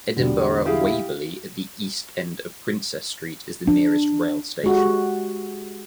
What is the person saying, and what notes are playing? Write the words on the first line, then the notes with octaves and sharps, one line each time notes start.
Edinburgh Waverley at the East end of Princes Street is the nearest rail station.
E1 D3 F#3 G3
E4 G4 G#4 F5
D4
G#3 F#4 G4